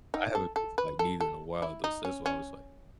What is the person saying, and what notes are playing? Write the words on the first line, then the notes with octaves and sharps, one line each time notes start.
I haven't been, like, neither in a while, though, so that's why I was, like,
D#4
A4
A4
B4
A4
A4
E4
D#4
C#4
C#4